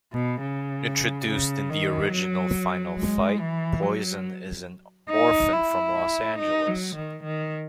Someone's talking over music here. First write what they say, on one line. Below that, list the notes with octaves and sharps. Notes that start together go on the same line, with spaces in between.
Introduced in the original "Final Fight", Poison is an orphan from Los Angeles.
B2
C#3
C#3
D#3
F#3
G#3
E3
F#3
D#4
E4
D#4
F#3
D#3
D#3